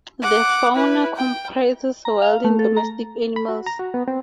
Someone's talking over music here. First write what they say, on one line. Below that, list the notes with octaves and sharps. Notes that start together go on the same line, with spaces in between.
The fauna comprises wild and domestic animals.
F#5 D6
E4 B4
G5
A#5
F5
A3
A4
A#5
B5
F#4
A#5
F#4
B3
C4